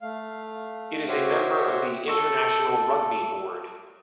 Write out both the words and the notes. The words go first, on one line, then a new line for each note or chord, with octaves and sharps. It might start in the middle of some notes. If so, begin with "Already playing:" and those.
It is a member of the International Rugby Board.
A3 F5
F#4 G4 C5 C#5 E5
A4 C#6